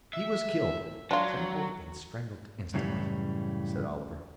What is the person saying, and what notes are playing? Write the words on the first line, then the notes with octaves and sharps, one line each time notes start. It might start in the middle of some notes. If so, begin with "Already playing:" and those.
"He was killed--trampled and strangled instantly," said Oliver.
E5
F#3 D4 F4
F#2 A2 C#3 E3 G3